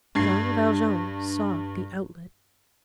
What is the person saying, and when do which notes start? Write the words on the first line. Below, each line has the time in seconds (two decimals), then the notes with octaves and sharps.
Jean Valjean saw the outlet.
0.15 G2 G#6 C7